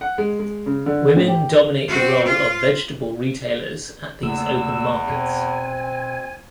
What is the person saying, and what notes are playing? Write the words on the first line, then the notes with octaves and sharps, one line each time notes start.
Women dominate the role of vegetable retailers at these open markets.
F#5
G#3
G#3
C#3
D3
A2
G4
C4 F#4
F4
E2 C#3 A3 A#3 E6
B2 C4 G#5